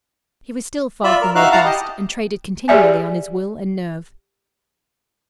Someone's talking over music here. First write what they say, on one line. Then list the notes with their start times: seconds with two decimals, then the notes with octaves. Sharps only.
He was still far from robust, and traded continually on his will and nerve.
1.04 F4 D5 E5 B5
1.22 A#4
1.35 D#4 F#4 E5 F5 F#6
1.52 E4 F5 F#5 A5 A#5
1.65 G4 D#5
2.68 G4 G#4 D5 E5 G#5